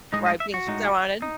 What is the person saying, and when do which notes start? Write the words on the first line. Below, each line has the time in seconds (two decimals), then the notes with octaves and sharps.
Right, being so on.
0.13 A2 G#3 D#4 D#5
0.26 D#5
0.40 E5
0.54 F#4
0.67 A2 G#3 D#4
1.22 D#4